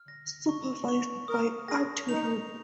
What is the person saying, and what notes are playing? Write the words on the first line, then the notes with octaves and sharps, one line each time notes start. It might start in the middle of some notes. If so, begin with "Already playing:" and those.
Supervised by Art Rupe.
Already playing: F6
A#6
C#6
C#6
A#4 D#6
G#4 A#6
D#4 F7